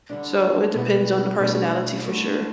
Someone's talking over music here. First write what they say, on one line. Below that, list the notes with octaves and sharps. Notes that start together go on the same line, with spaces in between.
So it depends on the personality for sure.
D3 G3 D4
B2 G3 B3 E4
B2 A3 D4
D3 A3 E4